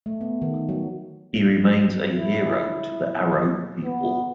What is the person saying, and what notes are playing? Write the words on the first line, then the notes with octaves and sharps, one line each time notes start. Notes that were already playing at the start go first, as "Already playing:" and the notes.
He remains a hero to the Aro people.
A3
B3
D#3
F#3
E4
B3